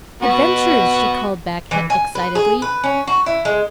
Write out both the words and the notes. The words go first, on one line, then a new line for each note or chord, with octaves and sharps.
"Adventures!" she called back excitedly.
B3 F#4
E3
G#5
B4
G#4
B4
C#4
F#4
E4
G#3